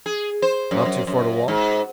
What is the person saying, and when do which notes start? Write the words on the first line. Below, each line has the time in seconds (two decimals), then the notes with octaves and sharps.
"Not too far to walk?"
0.06 G#4
0.42 C5
0.71 F#2
0.85 F#2
1.07 F#2
1.48 G#2